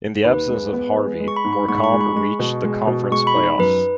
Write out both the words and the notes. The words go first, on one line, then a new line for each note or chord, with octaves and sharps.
In the absence of Harvey, Morecambe reached the Conference play-offs.
D#2 B4
G#3
B3
G#3
G#3
C#6
B5
G#2
B5
G#2 C#6
B5
C#6
G#3
B5
G#3 C#6
B2
G#3
B2
G#3 C#6
B5
D#4
F#2 B4